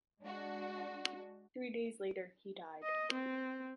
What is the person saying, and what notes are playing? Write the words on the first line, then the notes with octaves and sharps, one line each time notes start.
Three days later, he died.
G#3 D4 F#4
D#5
C4